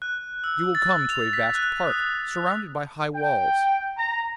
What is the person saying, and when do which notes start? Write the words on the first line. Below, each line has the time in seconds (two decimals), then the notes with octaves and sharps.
You will come to a vast park surrounded by high walls.
0.02 F#6
0.44 E6
0.75 A6
1.10 F7
1.33 B6
1.55 F#6
1.87 D#6
3.15 G5
3.98 A#5